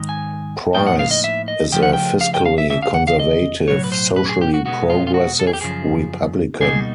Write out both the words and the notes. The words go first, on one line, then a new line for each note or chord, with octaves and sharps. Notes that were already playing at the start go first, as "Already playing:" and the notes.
Pryce is a fiscally conservative, socially progressive Republican.
Already playing: G#2 D#3 G#3 D#4
G#5
A2 F3 A#3 D#4 G5
F#5
F5
D#5
E5
D#5
C#3 F3 A3 G5
F#5
G5
F5
G5
F5
E5
D2 C#3 E5
F5
F#5
F5
D#5
B1 A2 F#3 C#5
B4
C5
B4
G#4
G4
F#4
B2 G#3 B3 F#4
F4
F4
F#4
A4
G#4
G4
F#2 C#3 F3 G#4
B2 G3 A#3 D#4 G#4